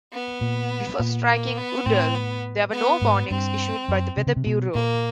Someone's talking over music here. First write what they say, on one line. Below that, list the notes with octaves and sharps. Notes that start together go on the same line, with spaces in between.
Before striking Udall, there were no warnings issued by the Weather Bureau.
B3
A#2
A#2
A#3
B3
A2 C4
B3
B3
G#2
G2 C4
F#2
C3
C#3
C3
B2
A#2 A#3